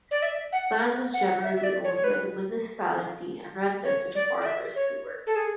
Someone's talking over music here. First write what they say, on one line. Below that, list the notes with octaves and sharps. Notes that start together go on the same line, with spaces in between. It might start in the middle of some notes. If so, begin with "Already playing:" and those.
Land was generally owned by the municipality and rented to the farmers to work.
D5
E5
F#5
F#5
E5
E5
D5
C#5
C#5
B4
C#5
D5
D5
E5
C#5
A4
G#4